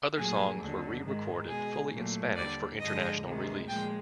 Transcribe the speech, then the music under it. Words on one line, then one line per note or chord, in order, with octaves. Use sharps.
Other songs were re-recorded fully in Spanish for international release.
A#2 F#3 A3 G#4
D#2 D3 F#3
G#2 D#3 G#3
B2 G#3 G#4
A#2 F#3 A3
D#2 D3 G3 D5
G2 D3 F3 G#3 D#5
D2 C3 D#3 G#3
A#2 F3 G#3 G5